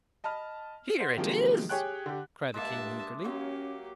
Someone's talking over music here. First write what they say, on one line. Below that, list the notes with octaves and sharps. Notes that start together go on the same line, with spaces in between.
"Here it is," cried the King eagerly.
D#5 A5 B5 F6
C5 F#5
C3 D#3 F3 F#3 G#3 A#3
G4 G#4 C#5 G5 F#6
D3 G4
G2 G#3 A#3 E5 A5
F#3 A#3 C#4 G4